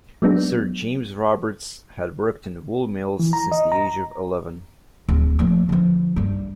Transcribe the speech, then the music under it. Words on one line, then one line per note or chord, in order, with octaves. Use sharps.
Sir James Roberts had worked in wool mills since the age of eleven.
F#3 G#3 B3 D4
E3
A#5
D#5
A#5
D1
F3 A3
D3 F3
G2 G3